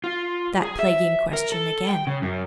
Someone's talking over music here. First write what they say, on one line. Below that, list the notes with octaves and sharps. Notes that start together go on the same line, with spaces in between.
That plaguing question again.
F4
G#4
E5
A#4
A4
G5
C#3
F#2